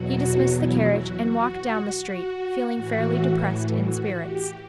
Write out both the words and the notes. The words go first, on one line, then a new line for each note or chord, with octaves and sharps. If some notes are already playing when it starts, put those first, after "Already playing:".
He dismissed the carriage, and walked down the street, feeling fairly depressed in spirits.
Already playing: E2 B2 F#3 F#4
E4
F#4
F#4
F#4
A2 E3 F#4
F#4
G4